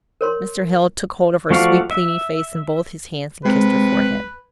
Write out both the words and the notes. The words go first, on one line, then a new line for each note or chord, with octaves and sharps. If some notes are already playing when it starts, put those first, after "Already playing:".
Mr. Hale took hold of her sweet pleading face in both his hands, and kissed her forehead.
A#4 C#5 C6
F3 A3 F#4 D5 F5
E5
C3 G#3 B4